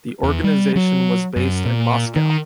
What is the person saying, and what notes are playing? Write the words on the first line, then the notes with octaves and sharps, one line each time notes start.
The organization was based in Moscow.
E2
G3
F#3
F#2
A#2
D#3